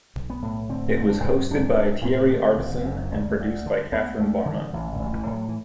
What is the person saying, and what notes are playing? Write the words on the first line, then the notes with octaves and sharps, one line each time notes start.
It was hosted by Thierry Ardisson and produced by Catherine Barma.
B1
B3
A2
D3 C4
C4
F#1
D4
F#2
C4
B1 D4
B1 D4
A2 C4
D3
F#1
F#2
D2
D2
D3
D2 B3
D2 A3
D3 E3
A1 E3
D3
A1
F#3
E3
A2
F#3
E3